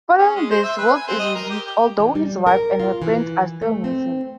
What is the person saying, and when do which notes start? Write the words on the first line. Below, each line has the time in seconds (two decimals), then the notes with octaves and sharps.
Following this, Wilt is released, although his wife and her friends are still missing.
0.18 C#4
0.35 G#3
0.51 C5
0.64 E5
0.78 B4
0.94 G#5
1.07 C4
1.19 D#5
1.35 A#4
1.50 G4
1.67 G4
2.00 E3
2.15 G3
2.47 A#4
2.80 F4
3.02 E3
3.62 A3
3.84 C4